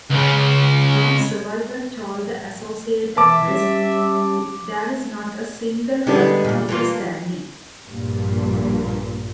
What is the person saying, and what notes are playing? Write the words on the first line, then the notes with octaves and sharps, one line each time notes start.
One survivor told the Associated Press: There's not a single hut which is standing.
C#2 C#3
B2 E3 E5 A5 D6
G3 C#4 G4
D3 G3 G#3 B3 D4
E2 A#2
E3 A#3 F4
A#1 G2 A#2